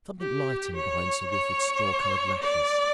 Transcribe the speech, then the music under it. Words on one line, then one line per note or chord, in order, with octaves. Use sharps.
Something lightened behind Sir Wilfrid's straw-colored lashes.
G4
C#5
C#5
D5